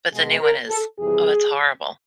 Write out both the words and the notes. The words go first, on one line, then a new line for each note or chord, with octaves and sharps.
But the new one is Oh, it's horrible.
B2 G#3 G#4
A#4
A4
F2 C3 E3 G3 G#4